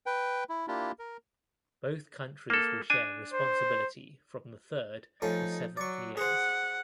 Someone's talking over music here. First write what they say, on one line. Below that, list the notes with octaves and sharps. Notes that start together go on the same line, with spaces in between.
Both countries will share responsibility from the third to seventh years.
B4 G5
E4
A#3 D4 E4 F4 G4
A#4
A#3 A4
D4 G#5
C5
F3 A3 C#4 D#4
F#3 D5 C#6
G#4 C5 F#5